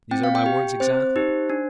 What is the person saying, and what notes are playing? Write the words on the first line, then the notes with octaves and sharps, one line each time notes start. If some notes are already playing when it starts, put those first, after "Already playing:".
"These are my words exactly."
C4 G5
F5
G5
G4
C4 C5
D#4 G4
D4